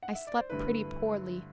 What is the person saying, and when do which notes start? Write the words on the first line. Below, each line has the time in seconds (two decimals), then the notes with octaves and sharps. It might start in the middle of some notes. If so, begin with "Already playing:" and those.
I slept pretty poorly.
0.03 F#5
0.15 E5
0.27 D5
0.38 C5
0.50 G2 D3 A3 E4 B4